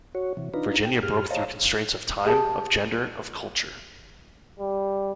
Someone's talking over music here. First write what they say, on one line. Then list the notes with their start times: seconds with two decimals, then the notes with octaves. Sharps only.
Virginia broke through constraints of time, of gender, of culture.
0.15 F#4 C#5
0.37 C3 E3
0.54 D4 D#4 F4 B4 A#5
0.85 G5
1.03 G2 G4 G#4 F6
1.30 C5 C#5 D#5 F5 A5 A#5
2.25 G4 G#4 G#5 A5
4.60 G3